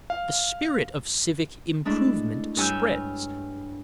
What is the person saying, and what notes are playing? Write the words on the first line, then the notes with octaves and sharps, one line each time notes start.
The spirit of civic improvement spreads.
F5
G#3 A3 D4 E4
G2 C#5 G#5 E6 F6 G6